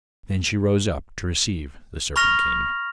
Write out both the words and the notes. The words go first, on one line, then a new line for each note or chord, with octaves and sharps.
Then she rose up to receive the Serpent King.
B5 C#6 F6 A#6 F7